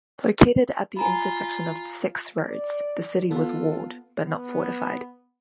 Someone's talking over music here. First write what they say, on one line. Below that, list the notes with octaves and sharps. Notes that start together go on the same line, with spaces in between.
Located at the intersection of six roads, the city was walled but not fortified.
F4 G#5 A#5 B5
D5
B3 F4 A4
B3